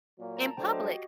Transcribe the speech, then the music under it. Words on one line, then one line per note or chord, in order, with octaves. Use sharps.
In public.
A#2 F#3 A#3
A#5
A5
F#3 A3 D4 A4 C5 G5
D#5
G4
F#4